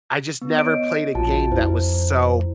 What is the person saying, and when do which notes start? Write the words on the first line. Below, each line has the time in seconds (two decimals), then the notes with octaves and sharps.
I just never played a game that was so
0.42 B3
0.58 C#5 D#5 D7
1.15 A#1 F4 F#4 A5
1.51 F2 E4 C5